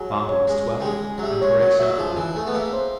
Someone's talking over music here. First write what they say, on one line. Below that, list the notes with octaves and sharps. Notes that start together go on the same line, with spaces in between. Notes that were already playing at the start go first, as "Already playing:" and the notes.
Vampa was twelve, and Teresa eleven.
Already playing: F#3 G#4
F5
C#5
G#3 G#4
G#4
G3
G#3 G#4
G#4
F#3
G3 E5
G#3 C#5
F#3 C#5
F#3 E5
F3 G#4
E3 G#4
A3 G#4
B3
A#3 E5
C5